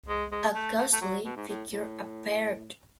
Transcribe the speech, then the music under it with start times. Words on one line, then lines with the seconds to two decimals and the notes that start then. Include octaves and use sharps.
A ghostly figure appeared.
0.08 G#3
0.32 G#3
0.55 A3
0.78 A3
0.93 A3
1.01 F#3
1.25 B2
1.36 G#2
1.48 A2
1.70 A2